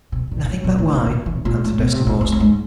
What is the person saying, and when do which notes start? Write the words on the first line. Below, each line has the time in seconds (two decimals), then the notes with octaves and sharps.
"Nothing but wine," answered Esther Mawson.
0.12 B2
0.31 A#2
0.44 A#2
0.50 A2
0.64 A#2
0.78 A2
0.93 B2
1.06 D#3
1.26 E3
1.37 A2
1.45 A#2
1.64 A2
1.79 B2
1.92 C3
2.06 A#2
2.21 A2
2.32 A2
2.40 G#2